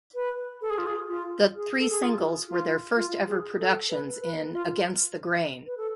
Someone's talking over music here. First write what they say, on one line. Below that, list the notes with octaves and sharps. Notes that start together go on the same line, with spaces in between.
The three singles were their first ever productions in Against the Grain.
B4
A4
G#4
F4
G#4
F4
G#4
A4
G#4
F4
F4
F4
G#4
A4
B4
B4
F4
B4
A4